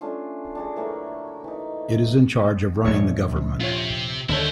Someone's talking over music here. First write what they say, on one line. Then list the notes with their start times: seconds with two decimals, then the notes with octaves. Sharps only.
It is in charge of running the government.
0.01 A3 C#4 D4 F4
0.55 D4 F#4 G#4
0.76 E3 F#3 A3 A#3
1.44 E3 D#4
2.85 A#1 D#2 C#5 D5 C#6
3.61 C3 F4 C#5
4.29 D#2 D3 D4 E4 A4 C5 C#5